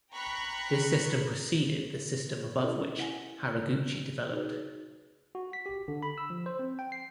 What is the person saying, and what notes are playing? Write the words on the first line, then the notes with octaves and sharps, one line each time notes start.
This system preceded the system above which Haraguchi developed.
G5 A#5 B5 C#6 F#6
C#4 E4 G4 A4 C#5 D5
E4 F#5 G#5
C#3
D#4 F#4 G#4 B4 C#5
F#4
B6
G4
D3
B5
E6
F3
C5
C4
G5
C7